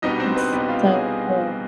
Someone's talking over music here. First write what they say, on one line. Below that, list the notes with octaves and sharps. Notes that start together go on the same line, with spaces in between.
That's so cool.
C2 B2 G3 B3 D4 D#4 D#5
C4 C5
B4
C2 B2 G3 B3 D4
F4 F5
G#4 G#5